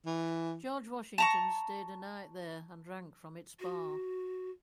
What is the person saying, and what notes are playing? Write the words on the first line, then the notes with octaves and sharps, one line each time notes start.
George Washington stayed a night there and drank from its bar.
E3
A5 A#5 C#6
F#4